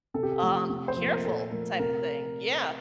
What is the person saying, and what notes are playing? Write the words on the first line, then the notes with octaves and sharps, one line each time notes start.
um, careful type of thing, yeah,
C3 A4
G4
A4
F3 A3
C3
C5
F3 A#3
A#4
A#4
A#2 A4
F3 A3 A#4
C3 A#4